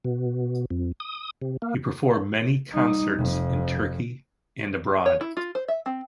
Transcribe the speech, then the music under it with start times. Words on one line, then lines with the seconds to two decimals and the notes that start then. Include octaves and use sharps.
He performed many concerts in Turkey and abroad.
0.05 B2
0.70 F2
1.00 D#6
1.42 C3
1.62 A#3
2.73 G3 D#4
3.17 F1 F2
5.06 C#5
5.21 E4
5.37 F4
5.55 C5
5.68 E5
5.86 C4